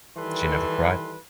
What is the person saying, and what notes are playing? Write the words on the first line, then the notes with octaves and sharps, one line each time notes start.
She never cried.
D#3 E3 G3 A4 B4 C6